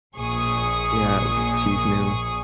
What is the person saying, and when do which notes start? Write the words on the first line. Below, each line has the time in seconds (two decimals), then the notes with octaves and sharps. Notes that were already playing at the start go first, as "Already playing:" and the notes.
Yeah, she's new.
0.18 A#1 A#2 G#4 C#6 D#6